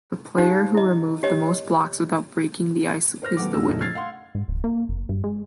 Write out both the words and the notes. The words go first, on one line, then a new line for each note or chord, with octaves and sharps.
The player who removed the most blocks without "breaking the ice" is the winner.
D#4 G4 C5 F5
E4 D#5
G4 C#5 D#5
A#4 C5 F6 A#6
D#3 A3 B3 F#5 D6
D#1 D3 G#3 E6
F1 A#2 C#3 F#3 A3 D#4
F6 G#6 A6 C7
F5 F#5 C6
G#2
D1
A#3
F#1
G2
G#3